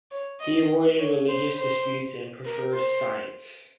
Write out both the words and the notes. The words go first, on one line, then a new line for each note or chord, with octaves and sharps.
He avoided religious disputes and preferred science.
C#5
D#5
C#5
C5
C5
A#4
C5